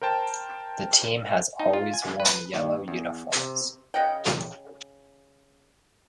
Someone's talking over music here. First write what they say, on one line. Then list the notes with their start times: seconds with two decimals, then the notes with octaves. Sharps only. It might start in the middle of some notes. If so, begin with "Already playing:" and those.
The team has always worn yellow uniforms.
0.01 A#4 C5 G5 A5
1.59 D#4
1.73 F4
1.93 G#5
2.20 B4
2.54 D#2
2.88 E2
3.35 C3
3.94 C#3 D#5 F#5 G5